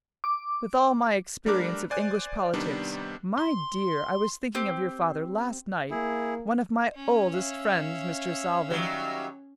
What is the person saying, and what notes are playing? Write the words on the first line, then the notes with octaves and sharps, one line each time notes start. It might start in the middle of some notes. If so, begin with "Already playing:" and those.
With all my experience of English politics--My dear, I was thinking of your father last night--one of my oldest friends, Mr. Salvin.
D6
G3 A3 D4 A#4 D6 F#6
C5 D5 G#5 F#6
C3 D#3 G3 B3 D4
C6
C4 G4
A#3 E4 G#4
C#4 C#5
E5 F5 E6
D#3 F#3 G3